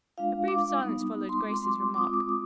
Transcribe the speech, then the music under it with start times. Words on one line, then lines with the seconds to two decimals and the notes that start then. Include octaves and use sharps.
A brief silence followed Grace's remark.
0.18 G#3 D4 F4 F5
0.48 D6
0.78 G3 B3 D#4 D#6
1.29 C6
1.38 G#3 C4 F4 D6
1.54 C6
1.68 D6
1.94 D6
1.98 G#3 C4 F4 D#6
2.14 D6
2.29 D#6